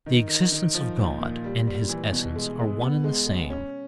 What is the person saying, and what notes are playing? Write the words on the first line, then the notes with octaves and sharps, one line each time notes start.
The existence of God and his essence are one and the same.
D#3
D#3
D#3
F3
A#2
A#2
G3
G3
E3
B2
G#3
G#3
B3
G#3
G#3
C#4